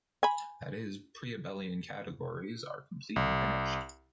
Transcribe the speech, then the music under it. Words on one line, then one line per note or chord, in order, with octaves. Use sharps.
That is, pre-abelian categories are complete and finished.
G#5 B5
C2